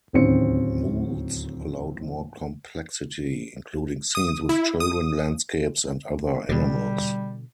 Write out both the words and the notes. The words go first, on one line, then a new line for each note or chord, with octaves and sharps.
Moulds allowed more complexity, including scenes with children, landscapes and other animals.
D1 D#2 C4 C#4 C#7
D#6
E4
D#6
B2 D3 G3